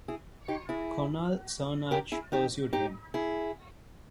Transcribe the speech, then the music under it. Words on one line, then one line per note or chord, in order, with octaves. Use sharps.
Conall Cernach pursued him.
E4 G#4
D#4 G4
E4 G#4
G4 A#4
E4 G#4
D#4 G4
D#4 G4
E4 G#4